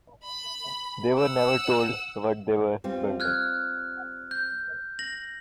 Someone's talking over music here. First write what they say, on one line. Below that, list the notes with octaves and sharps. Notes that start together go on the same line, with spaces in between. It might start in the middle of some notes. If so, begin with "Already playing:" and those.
They were never told what they were building.
B5
F#5 E6
G3 C4 F4
F6 F#6 G#6
G6
A#6 F#7